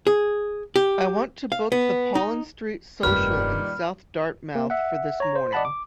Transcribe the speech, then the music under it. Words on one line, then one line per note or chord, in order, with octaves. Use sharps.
I want to book the Pollen Street Social in South Dartmouth for this morning.
G#4
G4
F5
B3
D#4
F1 G2 A#2 D#3 G3 B4 F6
A#3
E5 F#5
C#5 A#5
C5
D5 D#5 F#5 A5 B5
D6